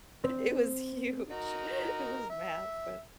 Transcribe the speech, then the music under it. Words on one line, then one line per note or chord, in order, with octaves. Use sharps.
It was huge. It was massive.
C4
D#4 F#4 A#4
E5